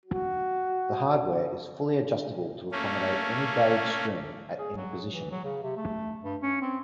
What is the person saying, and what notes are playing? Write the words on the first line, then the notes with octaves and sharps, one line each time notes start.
The hardware is fully adjustable to accommodate any gauge string at any position.
F#4
A3 A#3 C#4
G#4
F#3
E3
F#3
C#3
C3
A3
G2
C#4
C4